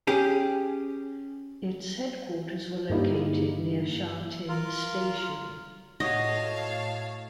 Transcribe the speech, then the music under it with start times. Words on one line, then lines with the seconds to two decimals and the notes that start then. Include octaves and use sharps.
Its headquarters were located near Sha Tin Station.
0.07 C#4 G4 G#4
2.90 G2 D3 G3 A#3 D#4 E4
4.49 F4 A#4
6.00 A2 F#4 C#5 D#5 F5 A5